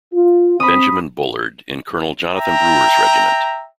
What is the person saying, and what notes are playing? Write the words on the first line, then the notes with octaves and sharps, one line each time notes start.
Benjamin Bullard in Colonel Jonathan Brewer's regiment.
F4
C4 B5 D#6
E5 G5 A#5